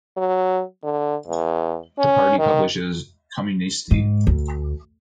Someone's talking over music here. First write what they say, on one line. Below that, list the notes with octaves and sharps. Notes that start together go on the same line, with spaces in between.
The party publishes "Komunisti".
F#3
D3
E2
C#4
D#3
G#2
D2